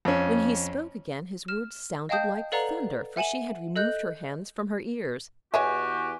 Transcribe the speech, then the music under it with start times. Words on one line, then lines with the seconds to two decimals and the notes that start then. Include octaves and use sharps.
When he spoke again, his words sounded like thunder, for she had removed her hands from her ears.
0.05 F2 C#4
1.48 F6 E7
2.09 D#5 F5 G5 A5 D#6 G6
2.52 A4 B4 D5 F5 F#5 A#5
3.16 E5 F#5 G#5 E7 F#7
3.76 A4 D#5 F#6 G6
5.54 E2 F#4 G4 C#5 D#5 E5 G#5